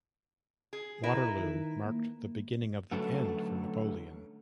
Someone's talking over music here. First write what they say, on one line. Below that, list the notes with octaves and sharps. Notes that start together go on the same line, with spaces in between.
Waterloo marked the beginning of the end for Napoleon.
G#4
E4 A#4 B4
D#3
A#3
D3 F#3 A3 C#4 A4 B4